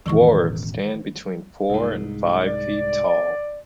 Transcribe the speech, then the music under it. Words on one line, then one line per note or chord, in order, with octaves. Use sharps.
Dwarves stand between four and five feet tall.
E1 A1 D#3 E3 C#6
C2 G#2
D5